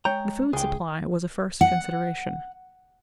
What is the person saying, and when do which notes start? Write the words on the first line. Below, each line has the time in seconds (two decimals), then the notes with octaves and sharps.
The food supply was a first consideration.
0.05 G#3 C#5 G5 A#5
0.53 C#2 G#3 G4 G#4
1.61 F#5